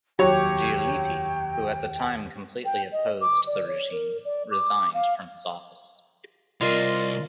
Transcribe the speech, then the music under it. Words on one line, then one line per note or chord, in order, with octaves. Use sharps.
Giolitti, who at the time, completely opposed the regime, resigned from his office.
F1 D#2 F#3 G4 C#5 G5
G5
D#5
D6
D5
C#5
A#4
D5
D6
F5
C2 F4 A#4 D5 D#5